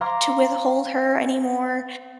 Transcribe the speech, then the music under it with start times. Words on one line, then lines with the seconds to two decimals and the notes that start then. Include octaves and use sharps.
to withhold her anymore.
0.01 F5 A#5 C6 D6 F6 G#6